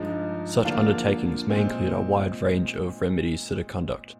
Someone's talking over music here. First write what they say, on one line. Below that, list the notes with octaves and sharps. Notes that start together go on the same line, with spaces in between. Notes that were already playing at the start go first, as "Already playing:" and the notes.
Such undertakings may include a wide range of remedies to the conduct.
Already playing: G2 F3 G#3 D#4
D3 F3 A#3 D4 F4
A#2 G#3 C4